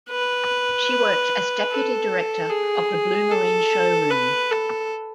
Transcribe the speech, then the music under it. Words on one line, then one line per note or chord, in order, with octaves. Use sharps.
She worked as deputy director of the Blumarine showroom.
B4
A4
G#4
A4
B4
A4